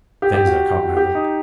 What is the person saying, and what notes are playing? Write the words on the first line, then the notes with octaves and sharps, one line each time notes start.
Venza caught my look.
G4
G4
F#4
F#4
G4
D#4